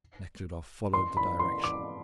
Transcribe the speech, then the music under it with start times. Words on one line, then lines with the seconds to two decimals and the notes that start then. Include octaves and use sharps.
Nekhludoff followed the direction.
0.93 C6
1.17 B5
1.39 C6
1.64 D6